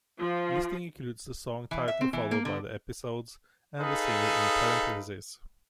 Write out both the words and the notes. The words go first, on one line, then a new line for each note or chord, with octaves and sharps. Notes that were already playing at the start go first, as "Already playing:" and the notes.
Listing includes the song title followed by the episodes and the singer in parentheses.
F3 F4
E3
E5
C4
E3
A#3
D3
D#4 G#4 A4 B4 F5